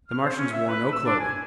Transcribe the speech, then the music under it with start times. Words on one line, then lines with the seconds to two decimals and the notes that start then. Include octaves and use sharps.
The Martians wore no clothing.
0.08 F6
0.23 C5
0.37 C#4
0.51 E5
0.68 B4
0.91 E6
1.05 D4
1.19 G#5